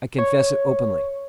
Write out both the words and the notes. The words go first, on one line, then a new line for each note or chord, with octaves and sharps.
I confess it openly.
C#5